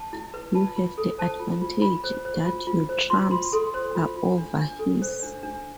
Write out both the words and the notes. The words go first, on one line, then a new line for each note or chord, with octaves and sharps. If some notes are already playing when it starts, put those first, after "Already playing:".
You have the advantage that your trumps are over his.
Already playing: A5
E4
B4
F4 A5
F4
A4
C5 A5
F4
F4
F4 B5
C5
C5
F4
F4
C5
F4 C6
F4 C6
A4 C6
C5 C6
F4
F4
D4
D4
A4
C5
D4
D4